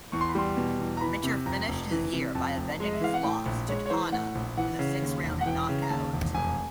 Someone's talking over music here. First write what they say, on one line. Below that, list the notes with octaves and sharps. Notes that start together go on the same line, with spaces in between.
Minter finished his year by avenging his loss to Tonna with a six-round knockout.
E2 C#6
C6
B5
G3 C6
B2
E2
A#5
E3 B5
C3
F2 A#5
F1
E3
C3
F2 A5
F1
G#3 D#5
E5
E3 F5
F#5
A2 G5
A#1
G#3 C#5
C#5
E3 C5
A2 F#5
A#1
E3 F#5
C#3
D#2
E1
F#5
E3 G5
C#3
A#5
D#2 A5
E1
F1 G#5